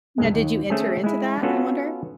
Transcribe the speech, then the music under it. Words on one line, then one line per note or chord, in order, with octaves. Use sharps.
Now did you enter into that, I wonder?
C2 G2 G#3
D#2
A3 C4 C#4 G#4
G#3 E4
B3 C#4 F4 F#4 A4